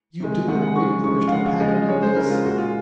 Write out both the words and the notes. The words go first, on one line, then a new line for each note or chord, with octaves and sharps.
"You do agree with Mr. Packard in this?"
C3 D#3 G#3
C3 D#3 G#3 F#5
F#5
C#3 F3 G#3 C#6
C#3 F3 G#3 C#6
F5
C#3 F3 G#3 F#5
F5
C#3 F3 G#3 D#5
D#5
C#3 G#3 C#5
C5
C#3 G#3 A#4
F4
A#2 G#3 F#4
F4